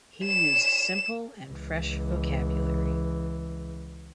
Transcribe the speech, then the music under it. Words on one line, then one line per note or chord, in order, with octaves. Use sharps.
He used simple and fresh vocabulary.
E7
C#2 E3